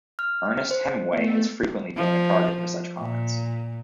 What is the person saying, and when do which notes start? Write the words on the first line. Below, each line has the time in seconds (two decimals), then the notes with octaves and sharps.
Ernest Hemingway has frequently been a target for such comments.
0.19 F6
0.71 C5
1.13 A3 B3
1.96 F3
2.99 A#2